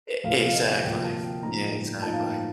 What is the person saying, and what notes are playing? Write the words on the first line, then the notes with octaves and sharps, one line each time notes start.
Ex exactly. Yeah, exactly.
D2 C3 F3 A#3 F5
F5
D#5
D2 C3 F3 A#3 G5
A5
G5
A2 F3 A#3 D#4 A#5
A2 F3 A#3 D#4 A5
F5
G5